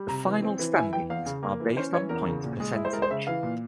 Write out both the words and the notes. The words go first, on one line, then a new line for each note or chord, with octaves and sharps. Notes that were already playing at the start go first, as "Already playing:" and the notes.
The final standings are based on points percentage.
Already playing: G3
C3 A#5
E3
C4
E3
E4 G#5
E3 G5
E2 F5
C#3
A#3
E3
C#4 C5
E3 C#5
E2 A#4
C#3
A#2
G#3
E4
C5
G#3 A#4
C5
C#3 E5
E3 F5
A#2